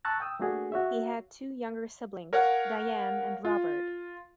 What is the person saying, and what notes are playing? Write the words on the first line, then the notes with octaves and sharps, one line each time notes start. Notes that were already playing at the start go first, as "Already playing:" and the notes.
He had two younger siblings: Diane and Robert.
A5 A#5 C#6 E6 F#6 A6
G5 D#6 E6
A3 A#3 D4 F#4 G#4
F#4 C#5 E5
A#4 C#5 F5 F#5
F4